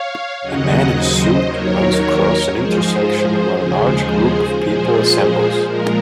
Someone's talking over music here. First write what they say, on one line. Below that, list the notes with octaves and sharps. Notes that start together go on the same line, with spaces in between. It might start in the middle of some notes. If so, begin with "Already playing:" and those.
A man in a suit runs across an intersection while a large group of people assembles.
Already playing: C#5 F5
D#2 C#3 F#3 D#5 F#5
C5 D#5
D#2 D#3 F#3 A#4 C#5
G#2 F3 G#3 G#4 C5
D#2 C#3 F3 G#3 G#4 C5
A#2 F3 G#3 G#4 C5
A#2 F3 G#3 A#4